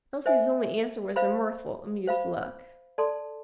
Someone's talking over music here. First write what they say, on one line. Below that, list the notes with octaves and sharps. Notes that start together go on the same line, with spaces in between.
Elsie's only answer was a mirthful, amused look.
C5 E5 G#5
C5 F5 B5
C5 F5 B5
A4 D5 A5 C6